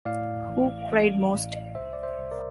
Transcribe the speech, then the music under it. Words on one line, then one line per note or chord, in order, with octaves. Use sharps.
Who cried most?
A2 D5 F5
A1
A1
A1
C2 C5 E5
D5
C5 E5
C2
A#4 D5